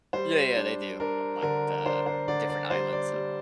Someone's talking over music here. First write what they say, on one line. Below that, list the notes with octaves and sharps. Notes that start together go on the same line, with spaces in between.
Yeah, yeah, they do. Uh, like, the different islands, so
G3 C5
D4
D4 A#4
D3 A#4
D4 C5
C5
D3 D5
D5
G3 C5
D5
G3